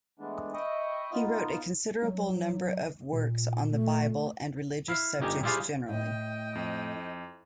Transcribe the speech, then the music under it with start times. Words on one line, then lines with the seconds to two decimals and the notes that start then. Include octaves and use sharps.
He wrote a considerable number of works on the Bible and religious subjects generally.
0.19 E3 G#3 A3 B3 D4
0.54 D#5 E5 G5 B5 C#6 D#6
1.12 B3 D#4 F4
2.03 F#3
3.13 A#2
3.70 A3
4.88 E4 F5
5.20 G1 D#4 G4 G#5
5.43 G3 E4 F4 G4 G#4 C5
5.89 A2 D#5 G5
6.55 F2